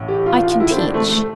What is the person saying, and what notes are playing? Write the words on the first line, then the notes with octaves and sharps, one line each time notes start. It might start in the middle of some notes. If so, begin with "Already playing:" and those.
I can teach.
Already playing: A1 A2
G4
F4
F4
E4
C4
D4
A3
A3